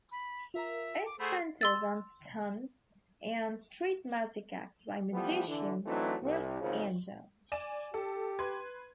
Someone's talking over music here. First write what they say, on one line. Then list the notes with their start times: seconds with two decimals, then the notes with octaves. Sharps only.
It centers on stunts and street magic acts by magician Criss Angel.
0.11 B5
0.54 F4 A#4 E5 A#5
1.06 D6
1.20 A3 G#4 C5 F#5 B5
1.61 C6 E6 A6
5.13 E3 F3 G3 A3 B3
5.47 D3 E3
5.86 E3 F#3 A3 C4 D4 D#4
6.23 C2
6.61 G#1 C#3 F3
7.52 D5 G#5 E7
7.94 G4 A4
8.39 B4 C6 G#6